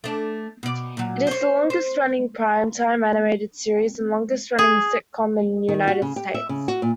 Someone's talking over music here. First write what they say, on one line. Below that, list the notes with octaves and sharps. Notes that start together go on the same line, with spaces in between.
It is the longest-running prime-time animated series and longest-running sitcom in the United States.
A3 D4
B2 D5
A#2 F#3
C5 C#5
C5
G#4
D#3
F#4
C#3
G4
E5
C#3
F#4
A#2